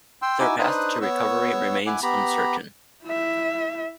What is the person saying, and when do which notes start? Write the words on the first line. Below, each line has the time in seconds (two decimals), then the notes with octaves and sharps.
Their path to recovery remains uncertain.
0.22 G5 C6 E6
0.39 D#4 E4 F#4 G#5 D6 E6
0.59 D4 D#4 B4 C5 D#6 F#6
1.01 B3 C#5 C#6 E6
1.86 E4 E5 F#5 G#5 D6
2.03 B3 G4 A#5 B5
3.04 E4 E5